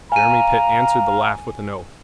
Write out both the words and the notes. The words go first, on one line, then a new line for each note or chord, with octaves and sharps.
Jeremy Pitt answered the laugh with an oath.
F5 G#5 A#5 D#7